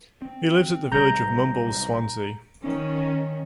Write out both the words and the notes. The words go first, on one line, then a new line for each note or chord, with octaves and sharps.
He lives at the village of Mumbles, Swansea.
C4
B1 C3 G3 A#5 G6
D#3 C#4